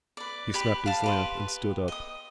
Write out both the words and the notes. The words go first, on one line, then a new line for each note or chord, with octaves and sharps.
He snapped his lamp and stood up.
B4 D5
G4 B4 B5
F5 A5
G4 B4 C6
D#5 D#6